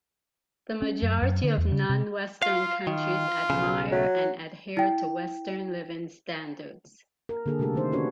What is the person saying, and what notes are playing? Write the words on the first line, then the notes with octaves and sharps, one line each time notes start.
The majority of non-Western countries admire and adhere to Western living standards.
C#4
F#2
F#2
D3
E2
C#3
C3
F4 F5
D#3 F4
B1 C#3
F#3
E4 G5
A#4
D3 A#3 G#4 A4
C3 G3 A3 G4 A4
D#3 D#4 C5
C#4 D4 F#4 A4 B4 C#5